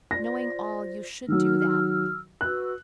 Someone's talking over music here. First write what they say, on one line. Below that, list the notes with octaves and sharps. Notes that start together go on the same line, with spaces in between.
Knowing all, you should do that.
F4 C5 D5 A#6
D#3 F#3 E6 F6
F#4 B4 E6 F#6